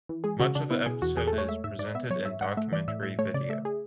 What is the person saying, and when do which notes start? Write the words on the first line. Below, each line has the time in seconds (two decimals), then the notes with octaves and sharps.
Much of the episode is presented in documentary video.
0.09 E3
0.24 G#3 G#4
0.40 C#3 F#4
0.55 C#3 D4
0.70 B3 E4
0.86 B2 G#4
1.02 E2 F#4
1.17 E2 G#4
1.27 A4
1.33 A3
1.38 C#5
1.49 G#3 E5
1.64 G#2 E5
1.79 G#2 D5
1.95 B3 E5
2.10 F#3 C#5
2.25 G#2 E5
2.41 G#2 F#5
2.57 A3 E5
2.72 E3 D5
2.88 A2 E5
3.03 A2 E5
3.19 A3 C#5
3.34 C#3 D5
3.49 A3 E5
3.65 G#4